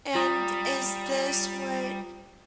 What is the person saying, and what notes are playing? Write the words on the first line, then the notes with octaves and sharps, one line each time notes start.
and is this what
G3 F4 A#5 D#6